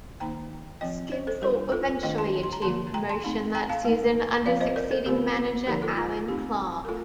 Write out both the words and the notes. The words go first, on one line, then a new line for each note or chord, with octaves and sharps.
Scunthorpe eventually achieved promotion that season under succeeding manager Allan Clarke.
D#3 A#3 D#4 G5 A#5
F3 C4 F4 D#5 G5
C5 D#5
A4 C5
G3 D4 F4 G4 A#4
F4 A4
D#3 A3 D4 F4 D#5 G5
A5 C6
C6
A#5
D3 F3 A#3 A5 C6
G5 A#5
A5 C6
A3 C4 D#4
G5 A#5
F5 A5
A3 D#4
F3 C4 F4 D5 F5
C5 D#5
A#4 D5
A4 C5
D3 A3 C4 F4 G4 A#4
D3 F3 A#3 D#4 G4 A#4
F4 A4
F4
A3 C4 D#4 G4
A#4
A3 F4 A4